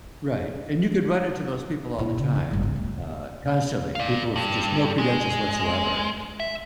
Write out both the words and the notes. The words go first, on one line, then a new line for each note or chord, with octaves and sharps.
Right, and you could run into those people all the time, uh, constantly, people with just no credentials whatsoever,
A#2 E4
C#3
E3
G1 G#2
C#2
D1
D5 F5
G2
G#3
E5